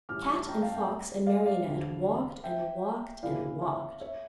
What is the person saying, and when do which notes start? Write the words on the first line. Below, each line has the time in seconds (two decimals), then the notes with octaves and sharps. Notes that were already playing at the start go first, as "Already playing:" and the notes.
Cat and Fox and Marionette walked and walked and walked.
0.09 A2 E3 G3 C#4 D6 F6
0.23 C#6 E6
0.35 A5 C#6
0.48 G5 A#5
0.61 F5 A5
0.74 E5 G5
1.27 D5 F5
1.46 D5 F5
1.66 E1 D2 D3
2.44 E5 G5
3.23 D2 C#3 E3 A#3 E4 D5 F5
3.62 C#5 E5
4.00 C#5 E5